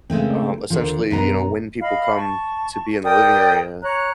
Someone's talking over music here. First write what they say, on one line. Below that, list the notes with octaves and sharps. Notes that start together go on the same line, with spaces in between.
um, essentially, you know, when people come to be in the living area,
C#3 G#3 A3 C4
D#2 D3 F3
F#2 B2 A#5
D#5 F5 B5
A5 C#6
A#4 D5 G5 D#6
C#5 A#5 F#6